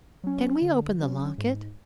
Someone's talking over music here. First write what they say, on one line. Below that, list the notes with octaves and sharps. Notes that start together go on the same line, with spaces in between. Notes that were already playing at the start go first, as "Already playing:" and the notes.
Can we open the locket?
F#3 C#4
D3
F#3 C#4
G#2